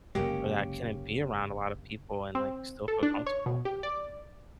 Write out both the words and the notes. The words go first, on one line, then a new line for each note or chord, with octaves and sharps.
or that I couldn't be around a lot of people and, like, still feel comfortable,
F#1 C3 G#3 A#3 C#4 G4
C4
A4
D4
C#5
B2
G4
D5